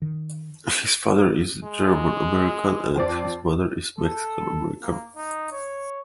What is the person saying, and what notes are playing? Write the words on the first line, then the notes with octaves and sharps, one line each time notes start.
His father is German American and his mother is Mexican American.
D#3
G#3
F2 C4 D5
A4
A#3
D#4
C#5